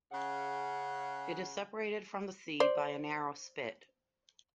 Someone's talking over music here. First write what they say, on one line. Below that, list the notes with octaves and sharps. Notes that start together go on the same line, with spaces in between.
It is separated from the sea by a narrow spit.
C#3 F#5
C5 D5